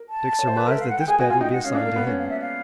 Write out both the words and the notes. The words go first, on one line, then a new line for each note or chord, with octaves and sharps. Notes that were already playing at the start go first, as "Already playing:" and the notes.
Dick surmised that this bed would be assigned to him.
Already playing: A#4
A5
C#5
C5
B4
A#4 E5
A4 F5
F#5
G5
G#4 G#5
F#4 G#5
F4 G#5
D#4 G5
F#5
C#4 F5
D4 F5
A#3
B3
C#4
F5
E5
F5